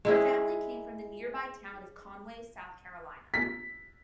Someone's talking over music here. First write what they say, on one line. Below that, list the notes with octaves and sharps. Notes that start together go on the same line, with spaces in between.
Her family came from the nearby town of Conway, South Carolina.
G#3 E4 G#4
B6